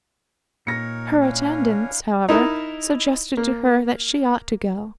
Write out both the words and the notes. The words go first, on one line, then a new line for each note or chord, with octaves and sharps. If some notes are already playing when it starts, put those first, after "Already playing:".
Her attendants, however, suggested to her that she ought to go.
A#2 D#4 A#4 C#5 A#6 C#7
C#4 D4 E4 C#5 F5
D#4 E4 A#4
A#3